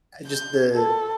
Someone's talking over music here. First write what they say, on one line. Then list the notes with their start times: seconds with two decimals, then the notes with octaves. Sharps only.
uh, just the
0.28 G6
0.74 A4